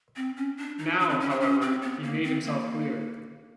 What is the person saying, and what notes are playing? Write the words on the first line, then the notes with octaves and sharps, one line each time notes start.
Now, however, he made himself clear.
C4
C#4
D4
D#4
D4
C4
C#4
D4
C#4
C4
B3
A#3
C4
A#3